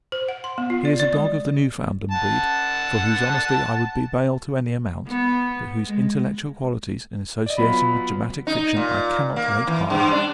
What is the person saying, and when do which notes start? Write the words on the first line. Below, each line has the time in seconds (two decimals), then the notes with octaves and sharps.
He is a dog of the Newfoundland breed, for whose honesty I would be bail to any amount; but whose intellectual qualities in association with dramatic fiction, I cannot rate high.
0.12 C5
0.29 F#5
0.44 C6
0.58 B3
0.70 F4
0.85 D5
1.00 D5
1.13 G#3
2.11 F#5 A5
5.08 B3
5.85 G#3
7.46 D5 D#5
7.58 F#3 B3 F4 B5
8.47 D#4
8.77 A#2
9.36 A#3
9.67 E3
9.90 G2
10.13 D4